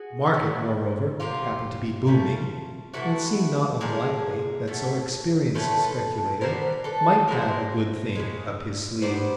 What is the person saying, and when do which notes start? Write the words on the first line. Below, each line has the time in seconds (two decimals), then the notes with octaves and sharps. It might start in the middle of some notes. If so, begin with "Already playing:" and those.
The market, moreover, happened to be booming, and it seemed not unlikely that so experienced a speculator might have a "good thing" up his sleeve.
Already playing: F#4 G#4
0.34 A#2 F#3 B3
1.20 C3 F3 A#3 F4 G4
2.07 F3 A3 C#4
2.94 C3 E3 A3 E4 F#4
3.81 D3 F3 G#3 G#4 A#4
4.67 B2 F#3 A3
5.55 F3 A3 C#4 A4 B4
6.41 D#3 G3 B3 D4 A#4 C5
6.84 A4 B4
7.28 C3 E3 G#3 A#4 C5
8.15 E3 G#3
8.19 C#3
9.02 D#3 G3 B3 C5 D5